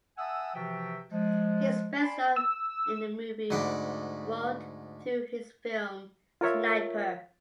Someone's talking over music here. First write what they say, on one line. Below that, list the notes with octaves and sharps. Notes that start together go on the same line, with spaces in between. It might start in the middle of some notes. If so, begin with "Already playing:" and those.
He is best known in the movie world through his film "Sniper".
E5 F#5 G#5 A5 D#6 E6
C3 E3 F3 F#4 E5 G5
F3 G#3
D5 G#5 A5 B5 C6
E6
D2 G#2 F#5 B5 C6 D6
F4 A#4 C#5 E5